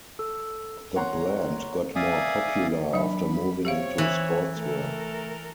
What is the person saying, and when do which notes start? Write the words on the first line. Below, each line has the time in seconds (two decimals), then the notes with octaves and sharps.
The brand got more popular after moving into sportswear.
0.19 A4
0.96 C#5 F#5 A#5 C6
1.96 D5 E5 F5 G#5 D#6
2.94 F#3 D4 E5 B5
3.65 C4 G4 C#5 E5 F5
3.98 E3
4.57 A3 A4 A#4